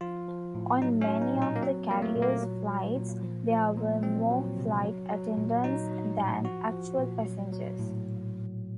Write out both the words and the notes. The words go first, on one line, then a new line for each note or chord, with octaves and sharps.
On many of the carrier's flights, there were more flight attendants than actual passengers.
F3 F4
F3
A2
F#3 D#4
C#4
F#3
D#4
A#2
D#4
A#3
F#3 C4
F#3 A#3
A3
A#2
A#3
F#3
F#3
A#2
F3
F3
A#2
F#3 C4
F#3
C3
F#3
F#3
A#2
F#3 D#4
F#3
A2
F3 F#4
F3
A#2
F#3
F#3
A2